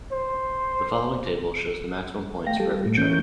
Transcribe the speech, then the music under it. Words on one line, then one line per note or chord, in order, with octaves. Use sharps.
The following table shows the maximum points for every chart.
C5
A3 F5 G5 A#6
G3 G4 A4
A2 A3
E3 A#3 C#4 G6